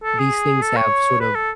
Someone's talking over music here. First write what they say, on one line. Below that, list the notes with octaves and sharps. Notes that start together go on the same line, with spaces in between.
These things have sort of,
A4
G#4
A4
C#5
B4
A4